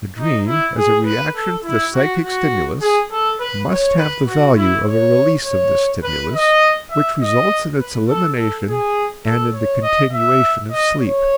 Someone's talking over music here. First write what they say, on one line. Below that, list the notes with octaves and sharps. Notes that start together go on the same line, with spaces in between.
The dream, as a reaction to the psychic stimulus, must have the value of a release of this stimulus which results in its elimination and in the continuation of sleep.
D#4
E4
G#4
B4
A4
E4
F#4
F#4
G#4
A4
B4
C#5
B4
F#4
E4
C#5
C#5
B4
D#5
E5
D#5
B4
A4
A4
G#4
A4
C#5
D#5
E5
D#5
C#5